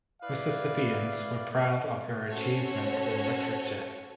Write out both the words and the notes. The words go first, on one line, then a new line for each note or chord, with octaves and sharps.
Mississippians were proud of her achievements in literature.
E4 B4 D5 F5
C#4 F#4 A4 C5 C#5